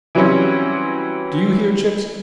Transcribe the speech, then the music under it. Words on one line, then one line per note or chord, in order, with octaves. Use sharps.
Do you hear, chicks?
E3 F#3 G3 C4 C#4 E4